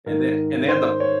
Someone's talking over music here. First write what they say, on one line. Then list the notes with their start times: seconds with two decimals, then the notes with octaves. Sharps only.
and they and they had the
0.06 G#2 D#3 A#4
0.69 C5
1.00 C#5